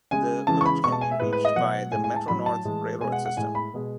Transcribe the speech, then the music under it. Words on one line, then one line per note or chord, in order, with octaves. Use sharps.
The village can be reached by the Metro-North railroad system.
C#3 G#3 G#5
C#3 E3 G#3 A5
C#6
B5
B2 G#3 C#6
A5
G#5
E5
A2 G#3 B4
B4
D#5
B2 F#3 F#5
A2 G#3 G#5
G#5
A5
A2 F#3 B5
A5
A2 E3 G#3
B2 G#3 G#5
F#5
F#5
A2 G#3 G#5
B5
B2 G#3